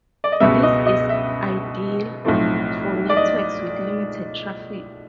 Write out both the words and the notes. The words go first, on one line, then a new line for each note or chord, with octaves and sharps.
This is ideal for networks with limited traffic.
D5
D#5
C#2 B2 G3 B3 E5
D#5
D#5
E5
B1 A2 F3 A3 C4
D5
D#5